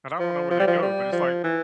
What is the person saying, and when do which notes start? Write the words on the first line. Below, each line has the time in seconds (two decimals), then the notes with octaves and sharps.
and I don't know where they go, but it's like
0.19 F3
0.51 F3
0.59 G3
0.68 F3
0.82 G3
1.12 F3
1.44 E3